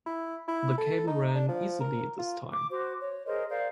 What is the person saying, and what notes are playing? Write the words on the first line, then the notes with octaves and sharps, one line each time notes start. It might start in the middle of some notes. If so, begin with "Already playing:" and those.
The cable ran easily this time.
E4
E4
A4
D#4
D4
F3
A#4
F4
D6
F#4 C5 D6
C#5
G#4 A#4 C5 D#5
A#4 C5 D5 F5